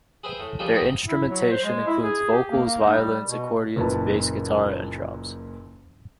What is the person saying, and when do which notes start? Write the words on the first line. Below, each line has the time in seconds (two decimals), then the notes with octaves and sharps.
Their instrumentation includes vocals, violins, accordions, bass guitar, and drums.
0.24 G#4 B4 C5 E5 G5
0.40 A2
0.59 D#3 F3 G3 G#3 D4 G4
0.74 C4 D#4 F#4 G4 G5
1.07 E4
1.29 F#3
1.52 C5
1.64 G#3
1.87 E4
2.02 G#4
2.32 G4
2.51 A#3
2.66 A#3
2.81 D#4
2.94 G3
3.26 B2
3.76 F#1 A#2 B4 A5